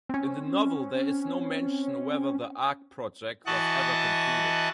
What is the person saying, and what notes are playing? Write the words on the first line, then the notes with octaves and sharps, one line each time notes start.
In the novel there is no mention whether the "Ark Project" was ever concluded.
C4 C#4
E3 F#4 D#5 A5 C#6 F#6